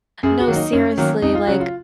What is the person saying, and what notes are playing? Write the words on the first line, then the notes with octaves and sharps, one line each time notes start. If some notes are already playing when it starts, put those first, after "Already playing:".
No, seriously, like
F#2 G#4
F#4
D#3 F#3 A#3
D#4
F#2 C#4
D#3 F#3 A#3
F2 D#4
F4
C#3 F#3 F#4
F4